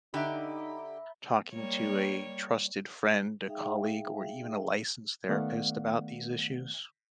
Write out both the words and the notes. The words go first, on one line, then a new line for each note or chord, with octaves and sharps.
talking to a trusted friend, a colleague, or even a licensed therapist about these issues?
D3 D#4 G4 E5 A#5 B5
G3 A#3 C#5
G#3 D#4 G#4 E5 F5 G5
D#3 A3 B3 D5 F5 F#5